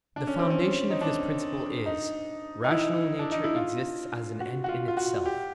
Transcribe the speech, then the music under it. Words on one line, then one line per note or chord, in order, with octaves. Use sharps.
The foundation of this principle is: rational nature exists as an end in itself.
D4
C#4
C4
C#4
D#4
D4
D#4
D#4
E4
D4
D#4
E4
F4
F#4
F#4
F4
F4
F#4
G4